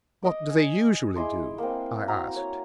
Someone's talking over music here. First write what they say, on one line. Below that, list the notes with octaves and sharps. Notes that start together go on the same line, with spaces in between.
"What do they usually do?" I asked.
D#5 D6
G#5
G#3 E4 C6 D6
A#3 C4
C4 F#4 A#5
C#5